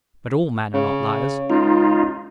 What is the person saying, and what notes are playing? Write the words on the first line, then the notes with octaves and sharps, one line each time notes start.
But all men are not liars.
C#3
C#2 D#4 F4